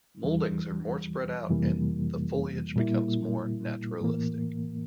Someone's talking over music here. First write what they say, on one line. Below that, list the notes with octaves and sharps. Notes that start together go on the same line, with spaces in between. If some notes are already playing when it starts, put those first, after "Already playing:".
Mouldings are more spread out and the foliage becomes more naturalistic.
E2 E3 G3
F2 C3 E3 G3 A#3
A#2 G3 A#3 E4
A2 E3 A#3